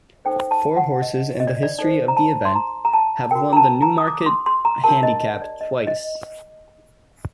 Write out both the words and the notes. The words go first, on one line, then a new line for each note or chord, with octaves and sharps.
Four horses in the history of the event have won the Newmarket Handicap twice.
D#4 A4 C5 G5
A5
F#5
D#5
D#5
D5
D5
D#4 A4 C5 D5
A#5
A5
C6
A#5
A#5
A5
F#4 A#4 G5
A#5
A5
A#5
D#6
D6
D6
C6
C6
A#5
D4 G4 A#4 A5
D#5
D5
D#5
D#5